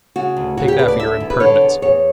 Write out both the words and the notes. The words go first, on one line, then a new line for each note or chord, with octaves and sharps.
Take that for your impertinence.
C#3 F#4
D2
C#3 F#4
G4
D2 B4
D5
D3 E5
E2
B4
D3 C#5
E2
E2 C#5